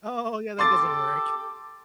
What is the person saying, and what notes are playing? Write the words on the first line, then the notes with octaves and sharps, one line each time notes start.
Oh, yeah, that doesn't work.
G4 A4 C6 D6 A6